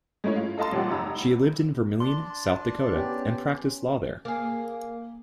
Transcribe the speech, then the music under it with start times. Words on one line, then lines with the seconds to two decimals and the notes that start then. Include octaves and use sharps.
She lived in Vermillion, South Dakota and practiced law there.
0.24 G#3 A3 C#4 E4 C#5
0.36 F4
0.57 A4 D#5 F5 A5 C6
0.72 A1 A#2 G3 G4 F#5
0.91 F1 D#4 A#5 B5 E6
2.00 D4 D5 C6
2.91 B3 C#4 G4
4.25 A#3 G#4